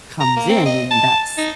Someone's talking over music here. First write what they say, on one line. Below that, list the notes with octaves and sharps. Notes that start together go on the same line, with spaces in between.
comes in, and that's
A#5
A#3
C4
D#5
A5
D#4